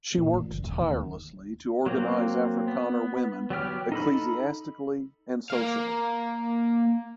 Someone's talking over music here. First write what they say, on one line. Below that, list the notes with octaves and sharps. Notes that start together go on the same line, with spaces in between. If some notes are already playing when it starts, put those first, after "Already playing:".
She worked tirelessly to organize Afrikaner women ecclesiastically and socially.
A#2
A1
F#1
E1
D#2
F#3 A#3 C4
B3
F#3 B3 G4 F6
D#4 A4 B5
A#3 F5